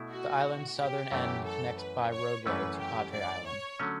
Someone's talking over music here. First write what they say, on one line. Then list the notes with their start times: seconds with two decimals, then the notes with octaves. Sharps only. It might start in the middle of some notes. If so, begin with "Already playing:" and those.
The island's southern end connects by roadway to Padre Island.
Already playing: B2 A3 E4
0.10 F#4
0.78 G4
1.12 F#2 E3 A3
1.45 A4
1.78 B4
2.11 C#5
2.45 F#2 E3 A3 C#4 B4
2.78 G4
3.12 D5
3.46 C#5
3.80 D3 F#3 A3 C#4